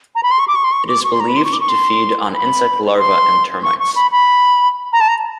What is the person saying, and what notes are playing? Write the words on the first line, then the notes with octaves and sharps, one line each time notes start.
It is believed to feed on insect larvae and termites.
A#5
B5
C6
C#6
D6
C#6
C6
C#6
D6
C#6
C6
A#5
B5
C6
C#6
D6
C#6
C6
B5
C6
C#6
C#6
B5
B5
A#5
A5
A#5